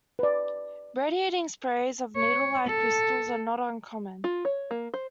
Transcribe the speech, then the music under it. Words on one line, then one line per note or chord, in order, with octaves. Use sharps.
Radiating sprays of needlelike crystals are not uncommon.
B4 D5
C#5
A4
F4
C#5
A#3
C5